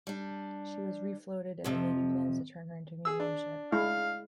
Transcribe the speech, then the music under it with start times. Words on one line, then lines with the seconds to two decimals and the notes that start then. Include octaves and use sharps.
She was refloated and the navy plans to turn her into a museum ship.
0.07 G3 D4
1.64 F2 C3 F3
3.05 G#4 E6
3.20 D4
3.72 G#3 E4 F5